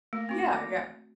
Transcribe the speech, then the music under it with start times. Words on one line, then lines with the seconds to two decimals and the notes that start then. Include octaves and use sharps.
Yeah, yeah.
0.13 A3 A#3
0.29 C4 F#4